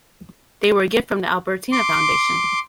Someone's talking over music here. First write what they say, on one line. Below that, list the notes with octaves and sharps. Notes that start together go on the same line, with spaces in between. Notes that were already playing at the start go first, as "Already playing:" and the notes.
They were a gift from the Albertina Foundation.
C6 D6